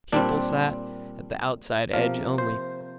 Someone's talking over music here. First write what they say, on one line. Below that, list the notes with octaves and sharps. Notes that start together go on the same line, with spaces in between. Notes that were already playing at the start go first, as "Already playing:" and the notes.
People sat at the outside edge only.
A#2 G3 C4 D4
C3 F3 A#3 A#4
C5